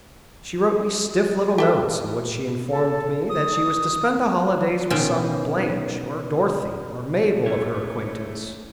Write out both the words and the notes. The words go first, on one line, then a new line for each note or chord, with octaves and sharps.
She wrote me stiff little notes in which she informed me that she was to spend the holidays with some Blanche or Dorothy or Mabel of her acquaintance.
G4 A4 E5
A4
D#6
B2 D#3 C#4 F4 E5 G5
A3 C#4 E4 C#5